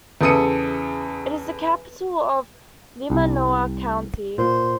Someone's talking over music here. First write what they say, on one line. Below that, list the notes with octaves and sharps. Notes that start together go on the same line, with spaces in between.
It is the capital of Limanowa County.
E2 C#3 A4 D#6 C#7 D#7
C2
A#2 C5